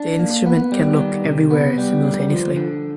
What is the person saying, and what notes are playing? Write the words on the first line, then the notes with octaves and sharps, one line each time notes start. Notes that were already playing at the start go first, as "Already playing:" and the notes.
The instrument can look everywhere simultaneously.
Already playing: D4
A#3
B3
G3
D#3
C3
B3
G3
D2
F3
D3